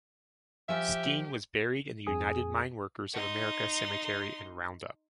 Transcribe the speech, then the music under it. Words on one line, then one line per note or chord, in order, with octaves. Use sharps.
Steen was buried in the United Mine Workers of America Cemetery in Roundup.
F3 G4 E5 G#5
F2 G#4 G#5 D#6
D#4 C6